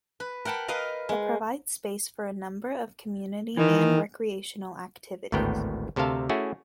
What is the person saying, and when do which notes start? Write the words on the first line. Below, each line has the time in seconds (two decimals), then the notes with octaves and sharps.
It provides space for a number of community and recreational activities.
0.20 B4
0.45 A#4 F#5 G5 A5 B5
0.68 A#4 B4 D#5 F5
1.09 G#3
3.57 D#3 E3
5.32 G#1 D2 A2 B3 A#4 G5
5.96 D2 C3 A4 A#4 F5 A5
6.29 A3 C#4 E4 F#4 G#4